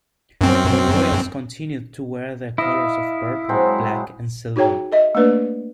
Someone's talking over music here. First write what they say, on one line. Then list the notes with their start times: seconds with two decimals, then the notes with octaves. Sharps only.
The Royals continued to wear their colors of purple, black, and silver.
0.41 F#2 C4
2.58 E4 D#5 F5
3.49 F#3 G#3 C4
4.56 D#4 F#4 G#4 C#5 G5 A#5
4.92 A4 D#5 E5
5.15 A3 A#3 D4 B4 D5